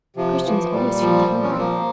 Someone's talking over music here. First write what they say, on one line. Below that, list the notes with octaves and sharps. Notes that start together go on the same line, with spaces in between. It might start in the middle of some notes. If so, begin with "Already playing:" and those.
Christians always feed the hungry.
C3 F3
E3 F3
A#2 G3
F3
A#2
C#4
C4
F3 A#3